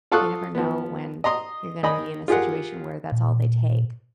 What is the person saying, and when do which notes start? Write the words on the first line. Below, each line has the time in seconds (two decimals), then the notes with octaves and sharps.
you never know when you're gonna be in a situation where that's all they take,
0.12 F4 A4 F5 C#6 D#6 F#6
0.55 F3 B3
1.24 D#5 A#5 C6 D#6
1.83 D#3 D#4 D#5 G#5 B5
2.28 F4 G4 G#4 A#4 F#5
3.12 A#2